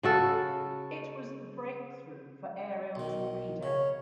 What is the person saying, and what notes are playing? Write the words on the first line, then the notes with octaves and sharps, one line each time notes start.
It was the breakthrough for aerial torpedo.
C#3 F#4 A4
B1 D#3
C#3 C#5